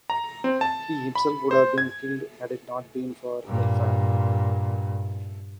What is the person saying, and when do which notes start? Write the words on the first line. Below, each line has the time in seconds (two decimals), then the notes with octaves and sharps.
He himself would have been killed had it not been for Elfhelm.
0.10 A#5
0.44 C4
0.61 A5
1.15 B5
1.51 C5
1.78 G#6
3.46 G2 A#2